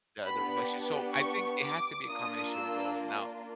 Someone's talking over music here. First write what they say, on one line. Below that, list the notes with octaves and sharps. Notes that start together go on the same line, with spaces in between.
the the reflection so, I think it has to be a combination of both; now,
B3 D4 G4 B5
C#6
D6
A#3 D4 F4 D#6
E6